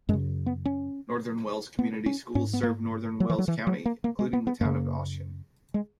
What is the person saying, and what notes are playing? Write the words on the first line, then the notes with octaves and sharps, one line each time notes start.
Northern Wells Community Schools serves northern Wells County, including the town of Ossian.
F#2 C#3 G#3
B3
C#4
B3
C#4
G#2 C#4
B3
A#3
F#3
E3
F#3
E3
F#3
A#3
A#3
G#3
B3
B3
F#2 C#3 A#3
G#3